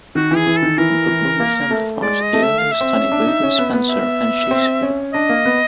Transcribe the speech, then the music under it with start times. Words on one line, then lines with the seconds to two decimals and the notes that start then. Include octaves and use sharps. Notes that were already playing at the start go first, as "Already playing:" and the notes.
The book exemplifies the earliest study both of Spenser and Shakespeare.
0.15 D#3 F#4
0.31 E3
0.36 G#4
0.46 E3
0.57 A4
0.62 D#3
0.78 E3 A#4
1.08 E3
1.40 A#3
1.71 A3
2.02 G#3 D5
2.23 D#5
2.33 A3
2.43 E5
2.58 F5
2.71 E5
2.81 C4
2.96 C#4
3.12 D4
3.27 D#4
3.43 C#4
3.59 B3
3.73 B3
3.89 E5
4.51 C4
4.83 C#4
5.13 D4 D#5
5.29 A#3
5.45 B3